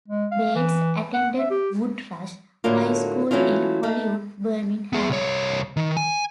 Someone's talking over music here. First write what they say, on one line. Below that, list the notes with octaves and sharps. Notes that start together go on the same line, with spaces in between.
Bates attended Woodrush High School in Hollywood, Birmingham.
G#3
F5
E3
F#5
E5
G4
A2 D3 F#3 A3 A#3 F4
E3 F#3 A3 C#4 E4 F4
A3 D#4
B3 G#4
C2 C#5
D#3
G#5